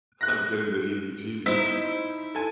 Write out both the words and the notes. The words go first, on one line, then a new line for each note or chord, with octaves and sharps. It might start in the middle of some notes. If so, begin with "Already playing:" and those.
I'm getting the heebie-jeebies.
F#6 A#6
D#4 E4 C5 D#5 E6 B6
A4 G#5